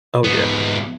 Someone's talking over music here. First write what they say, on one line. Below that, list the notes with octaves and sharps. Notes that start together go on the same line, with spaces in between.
Oh, yeah.
G#2 B3